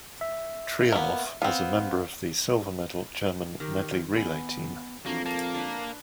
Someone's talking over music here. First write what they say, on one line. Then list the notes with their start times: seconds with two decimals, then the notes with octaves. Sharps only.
Trieloff was a member of the silver medal German medley relay team.
0.21 E5
0.92 A#3 B3
1.42 B3 C4 F5
3.60 D#3 G4 A#4
4.16 B3 G#5
5.06 F2 E3 A#3 D4 F#4
5.26 A#3 A5
5.54 D4 B4